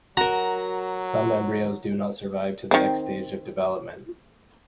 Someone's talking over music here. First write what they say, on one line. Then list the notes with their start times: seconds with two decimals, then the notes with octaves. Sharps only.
Some embryos do not survive to the next stage of development.
0.17 F#3 F#4 A#4 A#5
2.71 D#3 C4